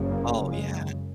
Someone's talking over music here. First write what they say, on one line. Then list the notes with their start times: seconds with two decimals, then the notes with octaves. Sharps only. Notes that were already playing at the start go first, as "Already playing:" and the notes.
Oh, yeah.
Already playing: F#1 F#2 C#3
0.08 A#3
0.51 G#3